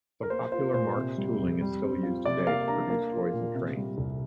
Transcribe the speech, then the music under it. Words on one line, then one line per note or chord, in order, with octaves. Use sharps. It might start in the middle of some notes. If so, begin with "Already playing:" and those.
Some popular Marx tooling is still used today to produce toys and trains.
A#4
A#3 C5
F4 C5
A#2 C5
C3
G3
F2
G3
C4
F4
C3 D5
A#3 F5
D4 A#5
A#3
F4
A#2
C3
G3
C2